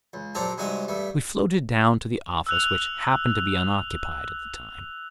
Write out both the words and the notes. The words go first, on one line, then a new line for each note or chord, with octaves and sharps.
We floated down to the office, which happened to be unoccupied at the time.
C#2
A#1 F#3 C4 D4 A4 A#5
G2 C3 G#3 D#4 F#4 G#5
G2 G3 A3
E6 F#6 F7